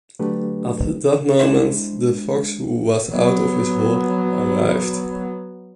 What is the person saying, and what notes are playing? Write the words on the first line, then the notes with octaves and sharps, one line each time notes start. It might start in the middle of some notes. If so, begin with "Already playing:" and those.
At that moment, the fox, who was out of his hole, arrived.
D3 F#3 A3 D4 G4 B4
G#3 D4 E4 C5 E5
F#3 B3